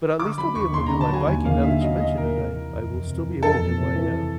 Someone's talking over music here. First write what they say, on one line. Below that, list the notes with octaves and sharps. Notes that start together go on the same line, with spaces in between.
but, at least I'll be able to do my biking, now that you mentioned it, I I will still be able to do my, uh,
D3 D6
F#3 B5
D#2 C#6
D#2 C6
D3 A#5
A5
F#3 G#5
D#2 G#5
D#2 F5
D3 E5
F#3 D#5
D#2 D#5
D#2 A#4
C3
E3
F2
F2
C3
E3
F2 A4
F2
C3
E3